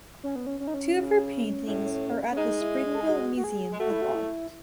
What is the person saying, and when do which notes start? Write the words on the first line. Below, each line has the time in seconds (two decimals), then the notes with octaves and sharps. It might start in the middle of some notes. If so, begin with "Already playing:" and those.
Two of her paintings are at the Springville Museum of Art.
0.24 C#4
0.36 B3
0.47 C#4
0.60 C#4
0.67 D#4
0.74 C#4
0.95 C#3
1.66 A2
2.32 C#4
2.37 G#3 D#4
2.61 E4
2.94 A4
3.01 G#4
3.09 F#4
3.37 F#4
3.44 G#4
3.73 G#3
3.80 A3 F#4
3.91 E4
4.02 F#4
4.15 E4